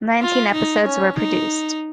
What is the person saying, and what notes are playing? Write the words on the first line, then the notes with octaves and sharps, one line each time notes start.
Nineteen episodes were produced.
F4
D#4
C#4
D#4